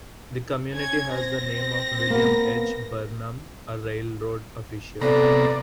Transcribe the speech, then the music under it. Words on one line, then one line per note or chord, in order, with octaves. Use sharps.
The community has the name of William H. Barnum, a railroad official.
C#4 G#6
C4 A#6
A#3 B3
C3 B3 A4 D5 A#5